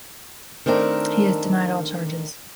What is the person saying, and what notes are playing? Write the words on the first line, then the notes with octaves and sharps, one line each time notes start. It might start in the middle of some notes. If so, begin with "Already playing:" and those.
He has denied all charges.
D#3 A3 C4 D4 A#4